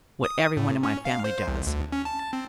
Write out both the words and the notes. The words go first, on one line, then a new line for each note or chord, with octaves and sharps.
What every one in my family does.
D#6
A2
C#4
F5
C5
C2
D2
C#4
A5
C4